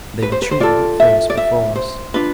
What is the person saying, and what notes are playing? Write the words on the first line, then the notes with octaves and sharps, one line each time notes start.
They retreated, at first, before us.
B4
C5
B4
C5
F4 A4 D5
E5
D5
E5
C5
D4 F4 B4